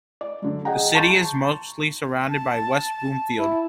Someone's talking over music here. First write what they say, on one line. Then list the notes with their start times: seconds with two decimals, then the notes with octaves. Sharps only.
The city is mostly surrounded by West Bloomfield.
0.21 D5
0.42 F#2 D3
0.65 G#4 D#5 F#5 G5 A#5
0.95 A5 A#5 C6 C#6 G6 A6
2.29 A5
3.38 E4